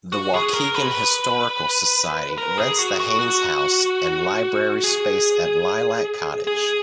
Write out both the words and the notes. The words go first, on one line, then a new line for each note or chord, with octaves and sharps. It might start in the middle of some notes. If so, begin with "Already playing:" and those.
The Waukegan Historical Society rents the Haines House and library space at Lilac Cottage.
F#4
G#4
A#4
B4
A#4
G#4
F#4
F#4
F#4
G#4
G#4